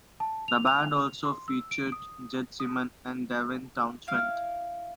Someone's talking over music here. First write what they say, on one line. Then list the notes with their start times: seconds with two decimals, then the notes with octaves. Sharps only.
The band also featured Jed Simon and Devin Townsend.
0.20 A5
0.48 F7
0.67 F7
1.25 C6
1.48 E6
1.71 D7
1.92 D#6
2.60 D#6
4.07 E4 F5 F6